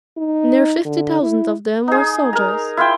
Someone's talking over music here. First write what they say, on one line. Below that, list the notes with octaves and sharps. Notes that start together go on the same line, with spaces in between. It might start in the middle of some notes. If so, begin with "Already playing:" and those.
Near fifty thousand of them were soldiers.
D#4
D3
E4
D#4 G#4
A#4 A#5
E4 F4 C5 G5